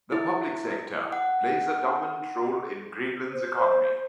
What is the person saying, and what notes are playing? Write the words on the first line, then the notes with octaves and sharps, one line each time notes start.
The public sector plays a dominant role in Greenland's economy.
E4
F#5
C5